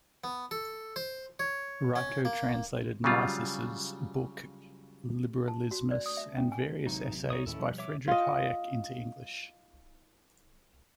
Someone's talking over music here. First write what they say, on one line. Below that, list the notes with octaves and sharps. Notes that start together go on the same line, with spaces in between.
Raico translated Mises' book, "Liberalismus" and various essays by Friedrich Hayek into English.
B3
A4
C5
C#5
C#4
A#3
C#3 F#3 G3 F4
A5
F#4
D5
D#6
E5
C#4
G#5
A1 C3 F#3 D#4
D#4 C#5 D#6
D#2 A2 D#3 C#4 E4 A4
B2 F3 G3
C#5 E5 D6
F4 D#5